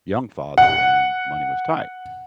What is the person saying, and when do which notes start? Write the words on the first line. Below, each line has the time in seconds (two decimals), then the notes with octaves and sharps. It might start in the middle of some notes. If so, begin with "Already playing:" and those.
young father and money was tight.
0.58 F#5